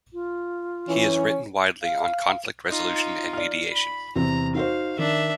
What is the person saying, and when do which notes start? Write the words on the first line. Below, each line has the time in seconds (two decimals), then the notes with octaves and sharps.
He has written widely on conflict resolution and mediation.
0.13 F4
0.88 E3 C#4
1.83 F5
2.68 D#4 F4
3.33 D5 F6
3.72 B5
4.16 E2 C3 C4 A#5
4.55 D#4 F#4 C5 F5
4.98 D#3 D4 E5